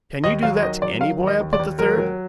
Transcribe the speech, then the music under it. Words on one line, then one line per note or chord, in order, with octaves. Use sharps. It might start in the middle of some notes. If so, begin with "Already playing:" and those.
"Can you do that to any boy up at the Third?"
D#2 D#5
F#3 F5
D#3 D#5
F#3 D5
D#3 F5
D#2
D#5
D#2
D5
D#2
F#3 A#4
F#3